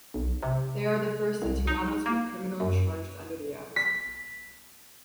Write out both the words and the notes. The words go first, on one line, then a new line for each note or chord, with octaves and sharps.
They are the first in Toronto to be criminally charged under the act.
B1
C3
C2
D#4
A#3
F#2
B6